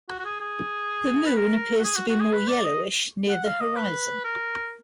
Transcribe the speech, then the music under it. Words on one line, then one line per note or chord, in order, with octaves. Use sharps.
The moon appears to be more yellowish near the horizon.
F#4
F#4
G#4
G#4
B4
A#4
F#4
G#4
F#4
F#4
G#4
B4
D5
D#5
F#5
F5
D#5
B4
A#4